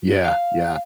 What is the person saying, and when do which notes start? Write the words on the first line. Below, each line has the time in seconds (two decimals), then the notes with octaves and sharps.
Yeah, yeah.
0.25 F5